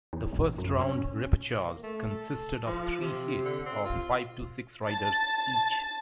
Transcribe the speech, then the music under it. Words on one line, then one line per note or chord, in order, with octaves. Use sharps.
The first round repechage consisted of three heats of five to six riders each.
E2
A#1
F#2
C#4
A#3
A3
A4
F3
C3
D3
C4
F4
A5 A6